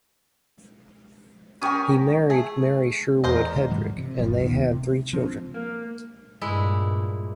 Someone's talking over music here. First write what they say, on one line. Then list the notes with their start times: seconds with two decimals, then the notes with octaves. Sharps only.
He married Mary Sherwood Hedrick and they had three children.
1.62 C#4 G4 A#4 G#5 C#6 D#6
2.30 A3 G#4
3.24 E2 A#4 C5 D#5
3.70 G#2 E3 F3 G#3
3.98 C3
4.19 F#1 B1 G2 F3
4.39 D1 D#2 D#3 B3
4.71 C3
5.13 F3 C4 D4
5.54 A#3
6.41 G2 A#2 G#3 E4